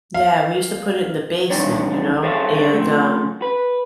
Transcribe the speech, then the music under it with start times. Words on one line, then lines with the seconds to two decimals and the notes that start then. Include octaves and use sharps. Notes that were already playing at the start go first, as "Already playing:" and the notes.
Yeah, we used to put it in the basement, you know, and, um,
0.14 F5
1.50 B1 E2 D#3 G3 D4 C#5
2.23 G#4 A4 C5 C#5 E5 F5
2.73 F3 A3
3.42 B4